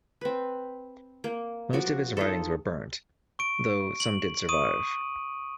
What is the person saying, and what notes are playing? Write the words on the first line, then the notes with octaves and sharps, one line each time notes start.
Most of his writings were burned, though some did survive.
C4 B4
A#3
F3 F#4 D5
D#4 F4 A4
C#6 D7
F#7
C#6 D#6 D#7